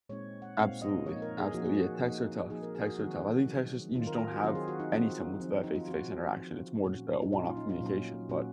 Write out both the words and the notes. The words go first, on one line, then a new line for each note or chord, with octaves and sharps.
Absolutely. Absolutely, yeah. Texts are tough, texts are tough. I think text is you just don't have any similar to that face-to-face interaction, it's more just a one-off communication, but,
A#2 G#3 C4 D#4 C#5
F#5
A#2 G#3 C4 D#4 F5
D#5
F3 A#3 D#4 C#5
A#4
G#4
F3 A#3 D#4 F#4
G#4
F#4
F3 A#3 D#4
F3 A#3 D#4 G#4
A#4
G#4
F#4
D#3 F#3 C4 D#4 F#4
D#3 F#3 C4 D#4
D#3 F#3 C4 D#4 F4
A#4
F4
F#4
D#3 F#3 C4 D#4 F4
G#4
F#4
D#4
F3 C4 D#4 F4
F3 C4 D#4
D#4
F4
F3 C4 D#4 F#4
F3 C4 D#4
A#2 F#3 C#4 F#4
D#4
A#2 F#3 C#4 F4
F4
D#4
F4
A#2 F#3 C#4
A#2 F#3 C#4 F#4